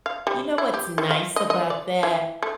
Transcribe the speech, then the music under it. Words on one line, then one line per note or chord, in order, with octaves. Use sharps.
you know, what's nice about that?
F5
G3
E4
G4
D#3
F5
D#5
D#5
D5
E3
A3